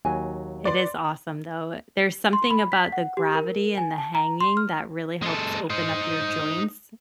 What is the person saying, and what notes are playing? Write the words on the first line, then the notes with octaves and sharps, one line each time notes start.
It is awesome, though, it There's something about the gravity and the hanging that really helps open up your joints
D#2 F#3 G#5
B4 D5 C6
C6
B5
B6
F#5
G4
A#4
G#5
A5
A#5
C6
F6
G#3 A4
D#4 C5